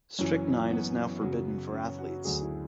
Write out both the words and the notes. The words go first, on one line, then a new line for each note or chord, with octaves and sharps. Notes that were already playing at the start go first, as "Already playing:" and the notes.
Strychnine is now forbidden for athletes.
F#1 F#2 E3 C#4
B3
F#2 C#3 F#3
C#4
F#4
D2 D3 F#3 A3 G#4
E4